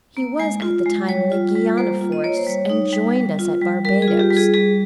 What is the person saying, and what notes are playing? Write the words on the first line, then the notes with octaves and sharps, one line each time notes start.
He was at the time in the Guiana forests, and joined us at Barbados.
A#3
G#3 G#5
F4
G#3
G3 C#5
F4
G3
A#3 C5
F4
D#5
A#3 C#5
C5
G3 C#5
D#4
G3
G3
F4
G3
G3 A#4
G#4
F4
G4
G3
G#4
G3 G#4